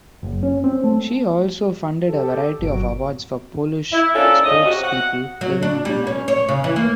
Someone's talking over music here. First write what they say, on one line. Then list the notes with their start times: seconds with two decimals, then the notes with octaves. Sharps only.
She also funded a variety of awards for Polish sports people living in America.
0.23 F#1
0.43 C#4
0.64 C4
0.84 A3
2.08 G4 A4
2.59 G1 A#2 F#3 D7
3.92 E4
4.14 A#3 C#4 D4 F4 A4
4.44 A2 C#3 D#5
4.66 C3 F#4
4.83 F#5
5.41 F#3
5.63 D4
5.85 G3
6.07 C#4
6.28 C#5
6.49 C#3
6.64 E3
6.76 A#3